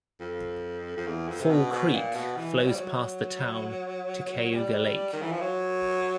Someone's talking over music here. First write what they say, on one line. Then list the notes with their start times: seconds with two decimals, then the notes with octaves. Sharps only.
Fall Creek flows past the town to Cayuga Lake.
0.20 F2
0.97 F2
1.07 E2
1.28 F2
1.41 C3
1.50 B2
1.72 B2
1.94 A#2
2.15 B2
2.37 E3
2.59 F#3
2.67 G3
2.76 F#3
4.55 G3
5.13 D#3
5.22 E3
5.32 F3
5.40 F#3